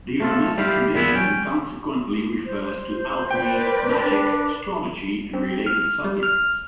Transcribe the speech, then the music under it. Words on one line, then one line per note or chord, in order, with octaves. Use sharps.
The "hermetic tradition" consequently refers to alchemy, magic, astrology, and related subjects.
A3 F4 A4
G3 E4 G4 F5
E2 A#2 B3 E4
C#4 G5
C5
A#4 B4 D5 G5
D4
C4
F6
G3
F6